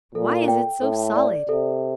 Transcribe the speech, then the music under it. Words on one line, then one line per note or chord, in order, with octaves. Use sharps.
Why is it so solid?
A#2 A4
G5
A2 A4
D5
C3 A4